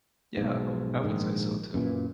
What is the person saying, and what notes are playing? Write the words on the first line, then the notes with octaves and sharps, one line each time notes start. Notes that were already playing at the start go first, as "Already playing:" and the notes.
Yeah. I would I would say so too.
B1 G#2
A#1 G#2 D#3
F#2 A#2 D#3 E3